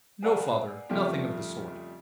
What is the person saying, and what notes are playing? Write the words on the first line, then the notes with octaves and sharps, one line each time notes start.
'No, father, nothing of the sort.
G#4 A#4 B4 D5 F5 F#5
F2 C#3 G3 A3 F4 G4